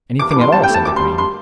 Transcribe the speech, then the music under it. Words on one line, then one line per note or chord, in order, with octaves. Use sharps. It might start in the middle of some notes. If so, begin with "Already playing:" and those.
"Anything at all," said the queen.
E2 D6
D6
E3
C6
C2 A5
G5
A3
A5
D2 D6
C6
G3
C6